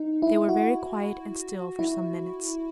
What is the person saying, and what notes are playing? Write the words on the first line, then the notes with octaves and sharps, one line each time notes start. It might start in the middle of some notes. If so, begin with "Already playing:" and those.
They were very quiet and still for some minutes.
Already playing: D#4
E4
F#4
E4